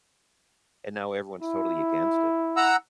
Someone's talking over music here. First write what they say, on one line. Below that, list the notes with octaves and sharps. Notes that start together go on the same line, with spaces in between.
and now everyone's totally against it.
E4
F#5 A#5 E6